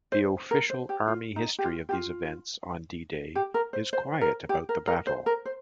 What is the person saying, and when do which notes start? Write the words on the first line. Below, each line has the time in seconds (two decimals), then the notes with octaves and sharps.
The official Army history of these events on D-Day is quiet about the battle.
0.12 C5
0.51 A#4
0.70 C5
0.89 G4
1.08 F4
1.36 D#4
1.59 G4
1.64 F4
1.89 G4
1.92 F4
3.35 G4
3.54 A#4
3.73 C5
3.93 C5
4.21 A#4
4.49 G4
4.69 A#4
4.87 A#4
5.07 C5
5.26 A#4
5.45 C5